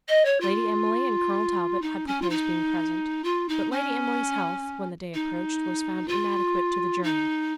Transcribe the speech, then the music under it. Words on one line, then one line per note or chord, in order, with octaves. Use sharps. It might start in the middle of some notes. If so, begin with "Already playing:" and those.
Lady Emily and Colonel Talbot had proposed being present; but Lady Emily's health, when the day approached, was found inadequate to the journey.
D#5
C#5
F4
D#4
C#4
F4
D#4
F4
D#4
C#4
D#4
F4
D#4